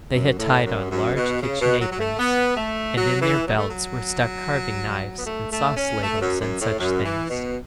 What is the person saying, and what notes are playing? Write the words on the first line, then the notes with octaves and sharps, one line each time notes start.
They had tied on large kitchen aprons, and in their belts were stuck carving knives and sauce ladles and such things.
F#2
A2
F#2
F#2
B2
C#3
B2
F#3
F#3
A3
B3
A3
F#3
E3
F#3
A3
F#3
B3
A3
A3
C#4
A3
F#2
F#2
A2
F#2
E3
B2